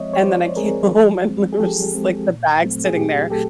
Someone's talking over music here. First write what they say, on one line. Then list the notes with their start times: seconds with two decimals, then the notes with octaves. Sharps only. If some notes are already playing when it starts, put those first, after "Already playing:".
and then I came home, and there was just, like, the bag sitting there,
Already playing: F3 G#3 C4 C#5 D#5 E5
0.14 C#5
0.22 F3 C5 D5
0.56 G#3 C4 G#4 A#4
0.91 F3
1.26 G#3 C4
1.53 G#4
1.59 F3 G4 A4
1.95 G#3 C4
2.29 A#2
2.62 F#3 A3 C4
2.85 G#4
2.96 A#2 G4
3.30 F#3 A3 G4 A4